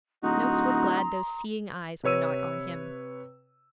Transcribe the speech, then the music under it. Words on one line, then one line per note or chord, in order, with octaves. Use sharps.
Noakes was glad those seeing eyes were not on him.
D1 D#4 F#4 A#5 C6 D#6
C3 B4 C#5 E6 D#7